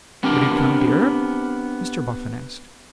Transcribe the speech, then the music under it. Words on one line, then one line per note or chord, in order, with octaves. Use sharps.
'Would it come dearer?' Mr Boffin asked.
B3 C4 D4 G4 A#4